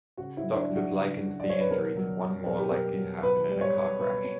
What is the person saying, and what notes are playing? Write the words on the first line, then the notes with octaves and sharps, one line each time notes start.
Doctors likened the injury to one more likely to happen in a car crash.
C#3 F#4
E4
F#3
D4
F#3
F#4
C#3
C#3
F#3 D5
C#5
B4
B2 A#4
F#3
F#3
B2 A#4
G4
B2 A#4
F#3
B2 B4
G3
C#5
G3
B2 B4
B2